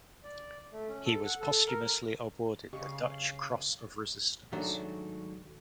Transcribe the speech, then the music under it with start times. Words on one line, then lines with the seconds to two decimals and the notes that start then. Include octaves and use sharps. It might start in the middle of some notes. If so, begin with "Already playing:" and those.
He was posthumously awarded the Dutch Cross of Resistance.
0.23 D5
0.72 A3
0.89 C#4
1.05 A4
1.25 F#5
1.41 A4
1.67 A#4
2.73 C#3 G4 D#5 F5 C#6
4.52 G#2 D#3 F#3 A3 D4